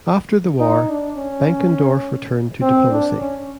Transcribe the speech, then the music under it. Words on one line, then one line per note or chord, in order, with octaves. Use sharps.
After the war, Benckendorff returned to diplomacy.
D#4
D4
C#4
C4
D4
C#4